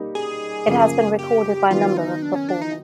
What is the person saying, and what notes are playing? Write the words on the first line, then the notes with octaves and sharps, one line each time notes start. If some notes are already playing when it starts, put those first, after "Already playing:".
It has been recorded by a number of performers.
Already playing: G3 A#3 D#4 G4 A#4
G#4
F#2 C#3 F3 A#3
G4
D#3 F#3 B3 F4
D#4
D4
C#4
D4
D#4